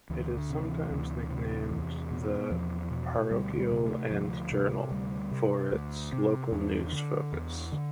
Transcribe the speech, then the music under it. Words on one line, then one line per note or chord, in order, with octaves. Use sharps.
It is sometimes nicknamed the "Parochial and Journal" for its local news focus.
D2 E3
D3
C3
E3
D2
C3
E2
B2
E2 F3
B2
D2 G3
G3
C3
A3
D2 F3
C3
D2 G3
C3
D2
C3 C4
E2 D4
D3
E2
D3